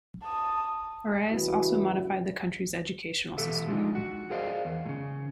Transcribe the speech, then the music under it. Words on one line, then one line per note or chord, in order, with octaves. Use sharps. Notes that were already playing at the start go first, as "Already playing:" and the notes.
Arias also modified the country's educational system.
A5 D#6
G2 C#3 E3 E4 F#4
B2 E3 G4 A4 E5
F3 G#3 D4 D#4
F#4
G#4 A#4 C5 D5 D#5 F5
E2
A2 C#3